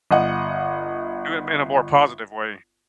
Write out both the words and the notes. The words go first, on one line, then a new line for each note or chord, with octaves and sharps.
Do 'em in a more positive way.
G1 D#5 F#5